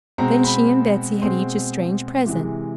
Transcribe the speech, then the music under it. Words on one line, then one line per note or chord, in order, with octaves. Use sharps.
Then she and Betsey had each a strange present.
B2 G#3 C4 A#5
B5
B2 G#3 C4 C6
C3 E3 G#3